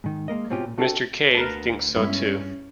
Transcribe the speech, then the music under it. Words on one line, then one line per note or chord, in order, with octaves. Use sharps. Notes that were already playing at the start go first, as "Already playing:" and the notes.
Mr. Kay thinks so too.
G#2 D#3
G#3 A#3 A#4 D#5
G#2 B2 C4 C#4 F4 G4
A#2
D4 F#4 A4 F5 G5 A5
D2 A#4 B4 A5
G2 G#3 B3 C#4 E4